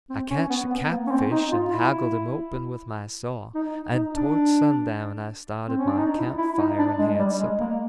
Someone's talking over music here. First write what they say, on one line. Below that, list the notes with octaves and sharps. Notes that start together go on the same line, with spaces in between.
I catched a catfish and haggled him open with my saw, and towards sundown I started my camp fire and had supper.
C4
C#4
B3
B3
A#3
C#4
C4
D#4
F4
E4
D#4
D#4
D4
C4
C#4
D4
D#4
E4
E4
D#4
D4
G#3
G3
G#3
A#3